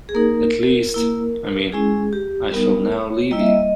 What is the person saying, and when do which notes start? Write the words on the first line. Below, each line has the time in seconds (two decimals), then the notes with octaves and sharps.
At least, I mean, I shall now leave you.
0.09 G#4
0.15 A#3 D#4 A#4
0.94 A#3 E4
1.72 G#3 C#4 E4 G#4
2.13 G4
2.51 G3 B3 D#4 A#4
2.92 C#5
3.31 G3 A#3 E4 D#5
3.39 E5
3.46 D#5